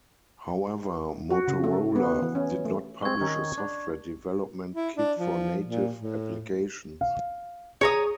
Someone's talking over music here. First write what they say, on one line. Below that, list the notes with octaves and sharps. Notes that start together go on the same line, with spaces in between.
However Motorola did not publish a software development kit for native applications.
F#4
C#3
A3
B3
E3
C#4
A3
G#3 C4 C#6 G#6
D#3 C#4 D#4
D4
E4
D4
F3
A#2
A2
F5
G#4 C#5 A#5 D#6